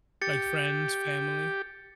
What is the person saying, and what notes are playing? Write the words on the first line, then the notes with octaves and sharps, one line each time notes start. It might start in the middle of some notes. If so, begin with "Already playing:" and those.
Like, friends, family?
G4 A6 C#7